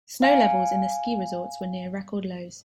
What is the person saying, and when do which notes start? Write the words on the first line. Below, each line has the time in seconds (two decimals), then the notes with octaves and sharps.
Snow levels in the ski resorts were near record lows.
0.22 F5 G#5